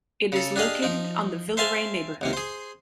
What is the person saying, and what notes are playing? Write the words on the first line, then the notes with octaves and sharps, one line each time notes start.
It is located on the Villeray neighborhood.
C#3 A4
D4 G4 G#4 D#5 F5
F3 D#4
C5 E5 F5 G#5 A5 C6
C#2 C3 A#3
G#4 C5